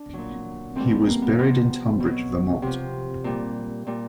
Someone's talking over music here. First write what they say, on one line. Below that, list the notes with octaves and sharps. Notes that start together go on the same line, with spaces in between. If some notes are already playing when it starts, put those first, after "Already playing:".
He was buried in Tunbridge, Vermont.
Already playing: D4
A#2 F#3
A2 E3 G3 C4
B3
A#3
B3
C3 F3 B3
B2 F#3
C3 F3
A#2 G3
A#2 G3